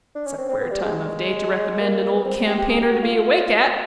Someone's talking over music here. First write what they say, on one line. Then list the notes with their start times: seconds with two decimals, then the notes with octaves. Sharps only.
That's a queer time of day to recommend an old campaigner to be awake at!
0.15 D4
0.27 C#4
0.38 C4
0.49 C4
0.60 B3
0.71 G3
0.82 G#3
1.81 A#3
2.14 B3
2.25 C4
2.47 G4
2.58 G4
2.69 G#4
2.80 G4
2.91 F#4
3.03 F4